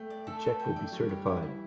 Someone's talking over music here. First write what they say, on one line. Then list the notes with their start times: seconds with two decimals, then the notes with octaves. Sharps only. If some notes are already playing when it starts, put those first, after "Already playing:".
The check will be certified.
Already playing: A3 G5
0.10 D5
0.27 A4
0.43 A4
0.59 G5
0.76 D5
0.92 G3 C#5
1.09 G4
1.26 E4
1.42 E3 E4